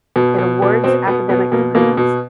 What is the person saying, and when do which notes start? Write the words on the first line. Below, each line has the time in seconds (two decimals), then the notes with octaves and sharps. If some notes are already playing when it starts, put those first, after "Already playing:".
It awards academic degrees.
0.16 B2
0.38 B2
0.62 B2
0.84 B2 C4
1.07 B2 B3
1.29 B2 B3
1.52 B2 A#3
1.75 B2 A#3
1.97 B2